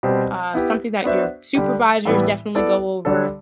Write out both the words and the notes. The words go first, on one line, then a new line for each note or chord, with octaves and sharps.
uh, something that your supervisors definitely go over,
B2 G3 C4 G4 C5
B3 E4 G4
B3 D4 F#4 C5 E5
D3 G3 D4 G4
A2 E3 G3 B3 E4
B3 E4 A4 D5
D3 G3 D4 A4